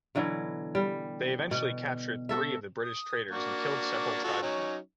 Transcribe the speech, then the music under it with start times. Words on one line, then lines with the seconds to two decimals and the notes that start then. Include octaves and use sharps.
They eventually captured three of the British traders and killed several tribesmen.
0.15 B2 D3 E3 F#3
0.75 G3
1.51 B2
2.29 F#4 A4 E5
2.84 D#6
3.31 A#3 D4 F#4
4.24 F4 F#4 A4
4.42 F#3 C#4 D#4